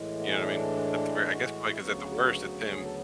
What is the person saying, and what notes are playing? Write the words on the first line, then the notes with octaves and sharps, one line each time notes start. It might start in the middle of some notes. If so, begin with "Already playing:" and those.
you know what I mean, at the very I guess probably 'cause at the worst it's him
Already playing: A2 E3 G#3
B3
C#4
D4
E4
F#4
E4
D2 C#3 F#3 B3 F#4
G#4
A4